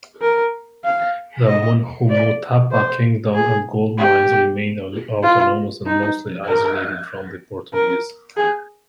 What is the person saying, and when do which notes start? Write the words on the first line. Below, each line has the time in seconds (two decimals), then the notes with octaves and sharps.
The Munhumutapa Kingdom and gold mines remained autonomous and mostly isolated from the Portuguese.
0.22 A#4
0.84 F5
1.47 D#5
2.10 D5
2.72 C5
3.35 G#4
3.98 G4
5.23 F4
5.86 D#4
6.48 A#4
7.74 A#4
8.37 G#4